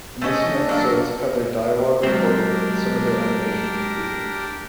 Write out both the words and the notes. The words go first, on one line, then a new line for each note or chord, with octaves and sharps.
The missing episodes had their dialogue recorded and some of their animation completed.
A3 C#4 D#5
D4
F#3 A#3
F#3 G#3 C4 D4 G4 A#4